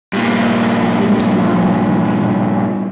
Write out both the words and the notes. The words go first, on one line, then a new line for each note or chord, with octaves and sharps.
It seemed to lie before him.
G2 A#2